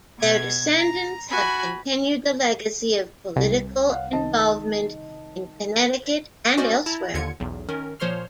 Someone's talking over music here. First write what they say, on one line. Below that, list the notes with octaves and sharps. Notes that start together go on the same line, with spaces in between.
Their descendants have continued the legacy of political involvement in Connecticut and elsewhere.
B2 G#6
A#5
F#4 G#5 B5
C2
F5 F#5
D#3 D#5 A5
C#4 F#4 C5 D5 D#5
E4 A5 A#5
D#2 D3 F4 G#6 C#7
B1 E2
D#3 C#4 A#4
A#2 F3 C5 C#5 C6 F6